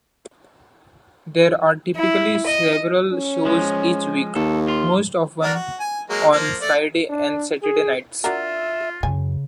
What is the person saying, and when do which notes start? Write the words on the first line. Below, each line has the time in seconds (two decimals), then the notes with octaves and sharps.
There are typically several shows each week, most often on Friday and Saturday nights.
1.96 E4
2.46 D#5
3.12 C#4
3.45 F3 G#3
4.35 D#2 A4
4.68 F4
5.43 D4 F#4 A#4
5.55 F#4
5.80 G#5
6.10 F#3 G#3 A#3
6.32 F3 A#3
6.61 A3 D5
7.10 D4
7.63 G#4
8.24 D4 F4 F#4 A#4 E5
9.03 F#2 C#3 G#5